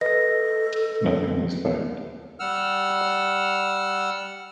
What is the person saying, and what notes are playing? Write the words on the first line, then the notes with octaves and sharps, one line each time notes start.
Nothing was found.
A4 B4 D#5 A#6
G3 F#5 E6 F6